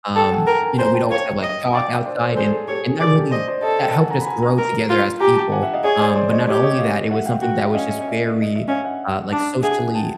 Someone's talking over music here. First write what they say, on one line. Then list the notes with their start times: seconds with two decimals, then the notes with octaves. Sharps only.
Um, you know, we'd always have like chalk outside and and that really, that helped us grow together as people. Um, but not only that, it was something that was just very, uh, like socially,
0.15 A4 G5 A5
0.31 F#5 G#5
0.47 A#4 G5 A5
0.62 G#5 A#5
0.78 C5 G#5 A#5
0.95 G5 A5
1.10 C#5 F5 G5
1.43 D#5
1.73 D5 F5 G5
1.89 F5 G5
2.05 C5 D5
2.15 C#5
2.21 C5 D5
2.31 A4
2.36 G#4 C5
2.48 A4
2.53 G#4
2.68 G4 A4 C#5
2.78 G#4
2.89 G#4
2.99 G#4 A#4 D5
3.15 G4 A4
3.31 C5 D5 D#5
3.48 C5 D5
3.62 A4 C#5 D#5
3.79 F5 G5
3.94 F#5 G#5
4.10 G#5 A#5
4.20 B5
4.27 G#5 A#5
4.42 G#5 A#5
4.58 A#4
4.90 F4
5.20 G4 G#5 A#5
5.36 G5 A5
5.52 F#5 G#5
5.62 E5 F#5
5.74 D#5 F5
5.84 G#4 C#5 D#5
6.00 C5 D5
6.15 C5 D5
6.31 C#5 D#5
6.47 G4 C#5 D#5
6.63 C#5 D#5
6.79 D#5 F5
7.11 E5 F#5
7.26 F5 G5
7.41 F#4 F5 G5
7.58 E5 F#5
7.73 C#4 D#5 F5
7.89 E5
7.98 D#5
8.08 D5 E5
8.42 D#5
8.56 E5
8.68 C#4 D#5 F5
8.83 E5 F#5
9.32 D4
9.63 G#4 E5 F#5
9.79 F#5 G#5
9.94 G5 A5